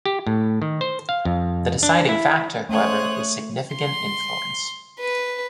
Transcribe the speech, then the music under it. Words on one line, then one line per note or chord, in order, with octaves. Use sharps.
The deciding factor, however, is significant influence.
G4
A2
D#3
C5
F5
F2
D4
E4
A3 C#4 C5 C#5 D#6 F#6
C6
B4